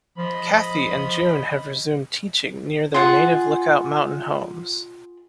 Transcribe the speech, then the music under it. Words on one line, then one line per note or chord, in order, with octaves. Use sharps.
Kathy and June have resumed teaching near their native Lookout Mountain homes.
F3 D#5 B5
F4 G#4 F#5